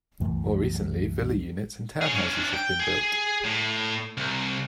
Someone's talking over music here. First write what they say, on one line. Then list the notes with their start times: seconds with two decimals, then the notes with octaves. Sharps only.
More recently villa units and townhouses have been built.
0.20 C2 F#2 E3 A3
2.01 G#4 C#5
2.14 C#4 D4
2.54 G5
2.80 G#4
3.45 A2
4.17 C2